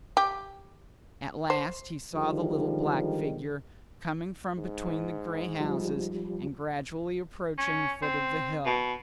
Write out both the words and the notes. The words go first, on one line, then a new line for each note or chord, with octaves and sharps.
At last he saw the little black figure coming from between the grey houses and gradually approaching the foot of the hill.
G4
C5
D3 D#3 F3 G3 G#3 D#4
G#2
F3 G3
C#4
C4
B2